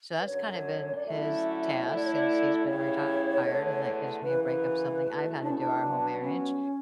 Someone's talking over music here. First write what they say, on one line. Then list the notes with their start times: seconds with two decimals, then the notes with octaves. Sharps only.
so that's kind of been his task since he's been retired, and that gives me a break of something I've had to do our whole marriage,
0.20 B4
0.27 F#2 D3 F#3 C#5
0.95 D5
1.06 D3 F#3 A3 C#4 E4 E5
1.85 D3 A3 E4 E5
1.95 D5
2.05 C#5
2.16 D5
2.65 E2 C#3 G3 C#4 E4 C#5
3.44 E2 D3 A3
4.23 F#2 C#3 E3 B4
4.44 B4
5.03 E2 B2 A3 E4
5.42 D4
5.50 C#4
5.58 D4
5.82 G2 F#3 B3
6.22 C#4